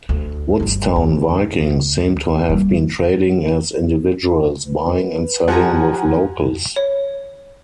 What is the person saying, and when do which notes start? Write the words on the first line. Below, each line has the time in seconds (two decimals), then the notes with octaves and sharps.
Woodstown Vikings seem to have been trading as individuals, buying and selling with locals.
0.09 D2
0.60 G1 D2
0.96 D2
2.49 G3 A#3
4.68 B4
5.48 F3 G4 F#5 G#5 A#5
6.76 C#5